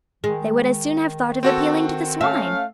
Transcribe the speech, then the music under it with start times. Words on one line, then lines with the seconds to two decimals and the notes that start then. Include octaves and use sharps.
They would as soon have thought of appealing to the swine.
0.24 D#3 G#3
1.43 C4 F#4 A4
2.21 A3 C#4 E5 F5